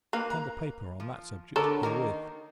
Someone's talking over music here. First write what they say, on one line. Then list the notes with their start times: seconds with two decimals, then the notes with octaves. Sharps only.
I send a paper on that subject, herewith.
0.13 A#3 G4 B4 F5
0.30 A#5
1.00 F3
1.56 D3 A3 B3 A4 A#4 C#5
1.83 D#3 A#3 D#4 A#4